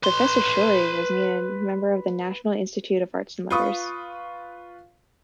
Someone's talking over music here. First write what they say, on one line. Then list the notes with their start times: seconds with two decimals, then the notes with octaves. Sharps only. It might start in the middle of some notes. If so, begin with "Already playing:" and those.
Professor Shorey was made a member of the National Institute of Arts and Letters.
0.03 B4 C6
3.51 F4 B4 C#6 D#6